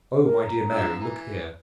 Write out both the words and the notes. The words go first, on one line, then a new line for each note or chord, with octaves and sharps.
Oh, my dear Mary, look here!
A#4
A#5
D3 F3 E6
E3